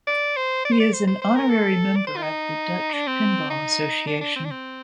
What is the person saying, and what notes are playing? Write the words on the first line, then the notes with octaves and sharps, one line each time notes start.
He is an honorary member of the Dutch Pinball Association.
D5
C5
D5
C5
D5
C5
C5
C5
A#4
A4
D5
C5
F4
D#4
D4
C4
D#4
D4
D4
C4
D4
C4